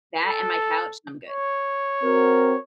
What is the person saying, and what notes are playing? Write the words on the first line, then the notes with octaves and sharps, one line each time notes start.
That and my couch, I'm good.
A4
C#5
C4 F#4 A#4